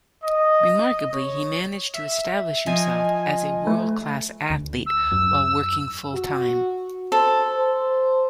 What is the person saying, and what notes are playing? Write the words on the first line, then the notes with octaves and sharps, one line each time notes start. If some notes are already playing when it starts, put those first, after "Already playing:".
Remarkably, he managed to establish himself as a world class athlete while working full-time.
D#5
C#5
E5
F3 D#5 G#5
A3
D2
E6
F#2
F#4
A4 C5
C5